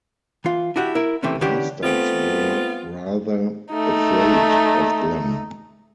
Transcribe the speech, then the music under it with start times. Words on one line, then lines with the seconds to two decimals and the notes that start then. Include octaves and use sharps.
Masters were rather afraid of them.
0.45 E3 F4
0.76 D4 E4 F#4 G4
0.95 E4 A#4
1.23 C3 E3 A3 C4 C#4
1.41 D3 E3 C#4 D4 G4
1.83 A3 B3 C4 F4
3.72 A3 D#4